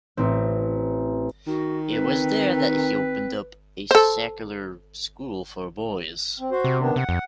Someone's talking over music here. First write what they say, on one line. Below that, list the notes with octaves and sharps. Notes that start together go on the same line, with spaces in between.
It was there that he opened up a secular school for boys.
A1 C4
D#3 F#4
C4 B4
A4 C5
C4
F#4 C5
C3
D#3 B3 D4
C3 F#5
F2